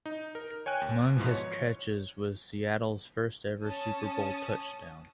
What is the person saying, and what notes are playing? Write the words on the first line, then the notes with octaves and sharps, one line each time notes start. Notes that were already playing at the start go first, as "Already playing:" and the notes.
Among his catches was Seattle's first-ever Super Bowl touchdown.
D#4
A#4
C#5 G5 G#5 F#6
D#2
G#2 B2 E3 F3
C#5
C#4 A5 D#6